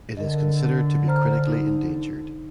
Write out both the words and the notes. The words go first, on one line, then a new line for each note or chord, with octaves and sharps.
It is considered to be Critically Endangered.
D3 A#4 D#5
C5 A#5 F6
D#4